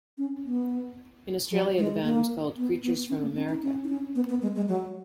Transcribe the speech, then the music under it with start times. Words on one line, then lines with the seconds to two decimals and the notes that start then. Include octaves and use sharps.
In Australia the band was called "Creatures From America".
0.18 C#4
0.46 B3
1.51 F#3
1.78 G#3
2.03 A#3
2.57 B3
2.83 B3
3.09 C#4
3.22 A#3
3.36 C#4
3.49 D#4
3.63 C#4
3.84 D#4
3.89 C#4
4.15 B3
4.29 B3
4.42 G#3
4.56 G#3
4.68 F#3